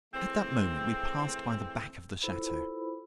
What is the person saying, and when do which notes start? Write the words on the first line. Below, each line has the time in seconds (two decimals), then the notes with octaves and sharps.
At that moment we passed by the back of the chateau.
0.14 E3 G#3 A3 C4
2.22 E4 F4 A4 B4 C5 B5